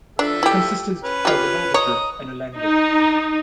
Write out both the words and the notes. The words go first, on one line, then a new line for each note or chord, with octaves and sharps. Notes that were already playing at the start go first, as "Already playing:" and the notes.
It consisted of an orbiter and a lander.
F3 D4 A4 E5
E4 G4
C#4 B4
G3 F4
C#5 D#5 A#5 D#6
D#4